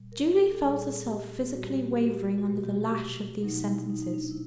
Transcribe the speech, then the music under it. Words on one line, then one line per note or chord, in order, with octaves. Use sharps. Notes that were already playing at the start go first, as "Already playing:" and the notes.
Julie felt herself physically wavering under the lash of these sentences.
Already playing: A#2 G3
A#4
A4
A4
A#2 G3 G#4
G4
A#2 G3 F#4 G4
F#4
G4
F#4
G4
F#4
G4
F#4
G4
F#4
B2 F#3 A3 G4
F#4
G4
F#4
G4
F#4
B2 F#3 A3 D#4
E4
D#4
D#4
D4
E4